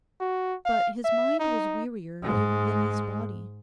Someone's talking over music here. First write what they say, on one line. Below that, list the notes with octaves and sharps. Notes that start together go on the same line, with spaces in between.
But his mind was wearier even than his body.
F#4
F5
E5
D#4
G#2 G#3